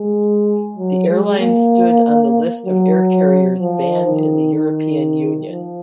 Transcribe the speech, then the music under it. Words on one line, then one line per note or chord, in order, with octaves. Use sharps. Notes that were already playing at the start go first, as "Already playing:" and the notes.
The airline stood on the List of air carriers banned in the European Union.
Already playing: G#3
F#3
G#3
A#3
F#3
F3
D#3
D#3
F3